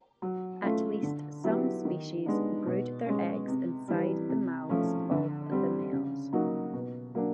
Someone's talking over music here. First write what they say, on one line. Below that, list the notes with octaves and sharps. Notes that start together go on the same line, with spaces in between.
At least some species brood their eggs inside the mouths of the males.
F#3
A3 C#4 F4
D3
F#3 B3 E4 G4
D#3
G#3 B3 D4
B2
G#3 C#4
C3
E3 G3
C3
F3 A3 C#4
D3
G3 C4
C#3
F#3 A#3 D#4 F#4
B2
F#3 A#3 D4